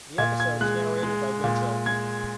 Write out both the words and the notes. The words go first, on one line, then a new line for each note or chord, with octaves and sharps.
The episode is narrated by Winchell.
A#2 G#6
G#6
G#3 F#6
G#3
A#2
G#3 G#6